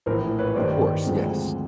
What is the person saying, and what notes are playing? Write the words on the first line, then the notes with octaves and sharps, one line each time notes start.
Of course, yes.
A#1 A2 E3 A#4 C5
B4 C#5
G2 D#3 G3 A#3 C5 D5
D2 D3 F3 G#3 C4